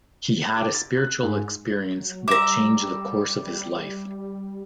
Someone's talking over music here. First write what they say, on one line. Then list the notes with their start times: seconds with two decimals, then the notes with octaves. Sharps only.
He had a spiritual experience that changed the course of his life.
0.56 D6
0.75 A6
0.97 F#6
1.23 G#2
1.86 F#3
2.28 G3 E5 A#5 D6